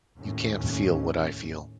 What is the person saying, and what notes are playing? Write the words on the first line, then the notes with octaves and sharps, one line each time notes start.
You can't feel what I feel.
D#2 A2 C#4